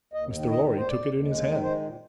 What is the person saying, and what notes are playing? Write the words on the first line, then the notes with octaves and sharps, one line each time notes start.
Mr. Lorry took it in his hand.
D#2 D#5
D#3
D#2 D#5
D#2
C5
D#2 D5
D#2
G#3
D#3
G#3 C5
A#2